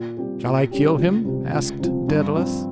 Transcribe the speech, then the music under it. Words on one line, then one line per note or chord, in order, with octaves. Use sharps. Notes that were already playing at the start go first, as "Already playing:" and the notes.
"Shall I kill him?" asked Daedalus.
Already playing: A#2
G3 C4 G4
A#2
G3 C#4 G4
C#2
C3 G3
C#2
C3 F3 C4
G2
F3 C4